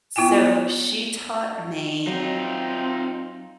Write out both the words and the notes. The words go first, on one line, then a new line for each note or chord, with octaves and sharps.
so she taught me
B3 E4 F4 G5 G#5
F#3 C4 D#4 F4